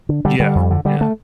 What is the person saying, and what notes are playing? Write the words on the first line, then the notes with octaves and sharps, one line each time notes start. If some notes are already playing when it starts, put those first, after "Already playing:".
Yeah, yeah.
D3
D3 G3
D3 G3
F2
D3
D3 G3
A3